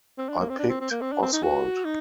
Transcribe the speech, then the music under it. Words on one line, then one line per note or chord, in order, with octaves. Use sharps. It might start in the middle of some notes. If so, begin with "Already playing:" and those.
I picked Oswald.
C4
D4
A#3
C4
D4
C4
C4
A#3
C4
D4
C4
D#4
F#4
D#4